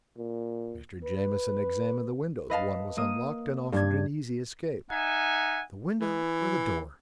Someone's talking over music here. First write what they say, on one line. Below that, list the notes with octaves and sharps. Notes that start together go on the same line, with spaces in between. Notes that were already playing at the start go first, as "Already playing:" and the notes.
Mr. Jamieson examined the windows: one was unlocked, and offered an easy escape. The window or the door?
A#2
B4
B4 D#5 F5 A5
A#3 D#6 D#7
G2 D4 G#6
D#4 E5 F#5 G#5
E3